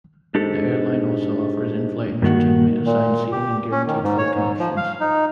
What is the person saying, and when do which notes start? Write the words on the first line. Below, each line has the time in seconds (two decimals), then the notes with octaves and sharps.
The airline also offers in-flight entertainment, assigned seating and guaranteed flight connections.
0.35 G#2 D4 G4 A4
2.22 G2 D#3 A#3 F#4
2.85 A#2
3.32 G4
3.72 C#4
3.87 D#3
4.04 G#2
4.18 C#5
4.35 G#2
4.60 F3
4.77 F5
5.00 D#4